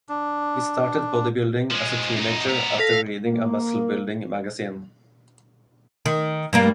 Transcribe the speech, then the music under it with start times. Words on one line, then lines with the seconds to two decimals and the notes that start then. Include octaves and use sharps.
He started bodybuilding as a teenager after reading a muscle building magazine.
0.09 D4
1.71 F3 G#3
2.16 F#2 D#4
2.49 B3 A#4
2.79 A4 F5 A#6 B6
3.24 A#3
6.06 D#3
6.53 G2 G3 A#3